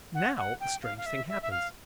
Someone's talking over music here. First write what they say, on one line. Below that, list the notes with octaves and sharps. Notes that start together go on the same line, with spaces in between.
Now a strange thing happens.
F#5
F#5
G5
F5
F5
E5
E5
E5
F5